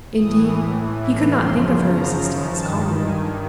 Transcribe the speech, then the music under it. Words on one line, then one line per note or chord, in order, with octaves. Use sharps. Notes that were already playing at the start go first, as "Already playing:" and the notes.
Indeed, he could not think of her existence calmly.
A2 E3 D#6
F#2 C#3 F3 C6
A#5
G2 D#3 A5
G#5